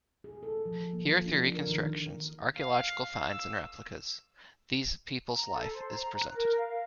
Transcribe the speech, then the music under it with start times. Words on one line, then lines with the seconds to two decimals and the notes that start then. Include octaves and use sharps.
Here, through reconstructions, archaeological finds and replicas, these people's life is presented.
0.24 G#4
0.43 A4
0.66 F3
0.93 A#3
1.10 F4
1.26 D4
1.54 A#4
1.67 D#3
2.56 F5
3.27 E6
5.33 A#5
5.50 A4
5.74 C5
5.93 A#5
6.22 F#6
6.34 A#4
6.57 F5